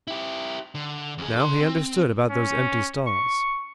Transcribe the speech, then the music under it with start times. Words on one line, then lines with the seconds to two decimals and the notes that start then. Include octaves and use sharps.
Now he understood about those empty stalls.
0.08 E4 G4
0.75 D3
1.18 F2 G#4
1.36 A4 C6
1.61 C4
2.29 C#4
3.07 C#6